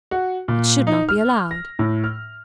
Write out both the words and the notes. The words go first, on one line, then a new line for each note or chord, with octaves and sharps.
It should not be allowed.
F#4
A#2
D#4
F6
A#6
A2
F6